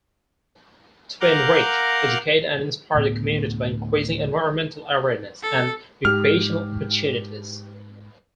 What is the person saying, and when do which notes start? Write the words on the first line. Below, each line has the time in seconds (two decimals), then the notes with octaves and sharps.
To enrich, educate and inspire the community by increasing environmental awareness and recreational opportunities.
1.21 A#4 F5 F#5 A#5 D6 G6
2.95 D2 A2 B3
5.43 A4
6.05 G#2 G4 F6